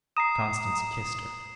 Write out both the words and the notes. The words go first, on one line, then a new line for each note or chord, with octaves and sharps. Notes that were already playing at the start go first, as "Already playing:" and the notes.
Constance kissed her.
A#5 D#6 C7 E7